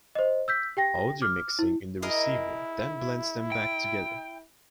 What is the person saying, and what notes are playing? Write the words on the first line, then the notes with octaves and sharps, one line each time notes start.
Audio mixing in the receiver then blends them back together.
C5 D#5
E6 G6 B6
G4 G5 A#6
D6 F6
E4
E4 G#4 A#4 D#5
G5